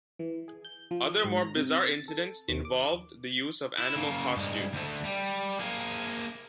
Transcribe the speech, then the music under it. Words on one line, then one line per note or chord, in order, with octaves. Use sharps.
Other more bizarre incidents involved the use of animal costumes.
E3
G#4
G6
F3
G#2
A#5
C3
A6
A4
D#2
D6
E4
C#3 A#3
G2 G#3
D2 A3
G3
A#3 G#4